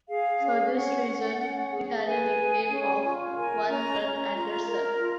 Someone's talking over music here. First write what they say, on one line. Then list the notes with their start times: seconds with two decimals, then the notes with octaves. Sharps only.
For this reason, he had a nickname of "One Run Anderson".
0.08 G#4 F5
0.41 C#4
0.73 C#4 F#5
1.06 C#4
1.39 C#4
1.72 G#4
2.05 B4 G#5
2.38 G#4
2.70 C#4
3.04 F4
3.36 A#4 G#5
3.68 C#4 A#5
4.01 C#4 A#5
4.34 F4
4.67 A#4
4.99 F4